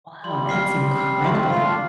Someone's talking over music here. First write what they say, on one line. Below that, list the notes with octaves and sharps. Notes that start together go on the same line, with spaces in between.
Wow, that's incredible.
G3 C6
F6 C7
C6
F6 C7
C4
A3 C6
C4
F4 F6 C7
D4